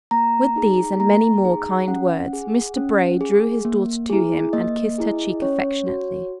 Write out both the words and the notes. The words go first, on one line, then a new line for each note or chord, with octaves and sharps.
With these and many more kind words, Mr Bray drew his daughter to him and kissed her cheek affectionately.
A#3 A#5
D#4 G#4
A#3 A#5
D#4 G#4
C#4 F#5
G#4
C#4
G#4
A#3
E4 G#4
A#3 D#5
E4 G#4
C#4 C#5
F#4